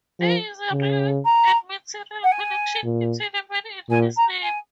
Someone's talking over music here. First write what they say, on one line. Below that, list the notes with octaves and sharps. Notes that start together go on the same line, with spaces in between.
There is a real and material connection between a man and his name.
F3
C#3
A#5
F#5
G#5
A#2
A#2 G#5
A#5
G#5